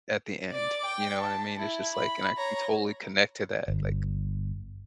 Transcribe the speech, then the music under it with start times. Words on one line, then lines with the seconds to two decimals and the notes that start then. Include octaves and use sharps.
at the end, you know what I mean? It's just like and I can totally connect to that, like,
0.52 D5 D6
0.85 G5
1.21 A5
1.60 E4
1.94 B5
2.37 C#5 A#5
3.68 G1